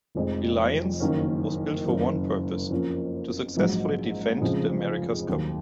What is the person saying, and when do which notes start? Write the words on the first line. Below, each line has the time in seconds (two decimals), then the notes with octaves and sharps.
"Reliance" was built for one purpose: to successfully defend the America's Cup.
0.15 F1 F2 F3 G#3
1.00 F#1 F#2 D#3 A#3 C#4
1.85 F#1 F#2 D#3
2.70 F2 F3 A#3 C#4 F4
3.57 A#1 G#2 F#3
4.41 F1 F2 C#3 F3 G#3
5.27 D#2 D#3 F#3